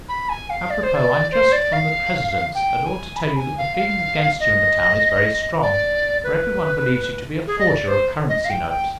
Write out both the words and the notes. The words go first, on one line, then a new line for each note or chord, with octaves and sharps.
A propos, I am just from the President's, and ought to tell you that the feeling against you in the town is very strong, for every one believes you to be a forger of currency notes.
B5
G#5
F5
D5
C5
D5
C5
D5
F5
G5
G#5
B5
G#5
F5
F5
D#5
D5
B4
G#4
D#5
D5
C5
D#5
F5
G5
G5